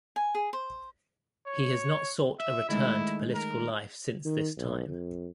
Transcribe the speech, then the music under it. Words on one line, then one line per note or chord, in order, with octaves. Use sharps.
He has not sought a return to political life since this time.
G#5
G#4
C5
C#5
E5
D#3 G#3 A3 E4
A#4
D#3
B1
F2